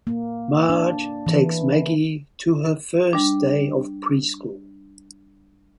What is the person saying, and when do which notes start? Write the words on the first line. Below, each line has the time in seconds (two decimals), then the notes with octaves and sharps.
Marge takes Maggie to her first day of preschool.
0.07 A#3
0.69 D4
1.27 E3
3.13 G3 D4